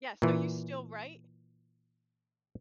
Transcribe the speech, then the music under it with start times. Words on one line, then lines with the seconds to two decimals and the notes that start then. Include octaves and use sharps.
Yes, so you still write?
0.22 A#2 E3